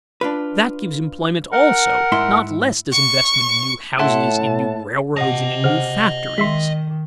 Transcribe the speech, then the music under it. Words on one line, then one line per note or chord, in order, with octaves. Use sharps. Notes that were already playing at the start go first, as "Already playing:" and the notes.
That gives employment also; not less does investment in new houses, in new railroads, and in new factories.
D4 F4 B4
A#4 F#5
G#2 E4 C6
C#6
A2 E4 F#5 A5 C6
C3 D#5 F#5 A5 A#6
C#3 C5 F#5 F6
D#3 G#3 E5 C6 B6 F#7